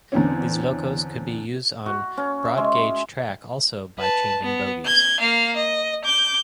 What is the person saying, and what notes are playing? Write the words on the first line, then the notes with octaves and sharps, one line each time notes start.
These locos could be use on broad gauge track also by changing bogies.
E2 D3 C4 C#4
F#4
C#4
E5
G#3
B4 A5
B3
G6 G#6
A#3 F5
D#5
D6 G6